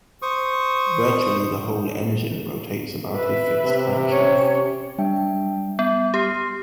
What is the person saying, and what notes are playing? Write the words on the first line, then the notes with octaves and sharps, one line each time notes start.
Virtually the whole engine rotates about a fixed crankshaft.
C5 C#6 D#6
B4 E5
C3
C#4 C#5
G3 D4 E5 G5
B3 A6
G4 D#6 F6 C7